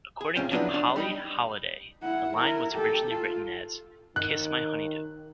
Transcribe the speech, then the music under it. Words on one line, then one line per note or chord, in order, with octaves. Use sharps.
According to Polly Holliday, the line was originally written as, Kiss my honeydew!
G#4
G#2 C3 C#4 F4 G5
F3 F#3 D4 E4 B4 F#5
D4
G3 D#4 B5
E4 F#5
E4 A#4
G4 A4
F4
D#3 F#6